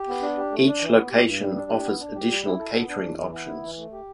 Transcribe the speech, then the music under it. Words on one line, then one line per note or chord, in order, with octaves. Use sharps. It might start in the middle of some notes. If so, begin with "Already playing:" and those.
Each location offers additional catering options.
Already playing: G4
B3
D4
G4
A3
D4
E3
B3
G4
G2
G3
D4
G4
B3
D4
G4
G3
E4
A4
B3
D4
E2
E3
B3
E4
E3
A3
G4